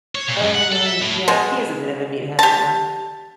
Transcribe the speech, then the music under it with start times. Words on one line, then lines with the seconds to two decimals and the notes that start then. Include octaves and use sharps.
Oh, right yeah, he is a bit of a meathead, though.
0.15 C#5
0.28 A#2
0.42 F#2
0.55 F#5
0.72 A4
0.86 E5
1.01 A2
1.28 B2 G#3
2.39 G4 A5